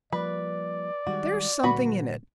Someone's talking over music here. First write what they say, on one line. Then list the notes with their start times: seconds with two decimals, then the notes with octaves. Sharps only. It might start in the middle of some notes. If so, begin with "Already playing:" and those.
There's something in it.
0.12 F3 G3 A#3 B4 D5
1.07 D#3 G3 G#3 F#4
1.63 A#2 D3 G3 F#4 B4 B5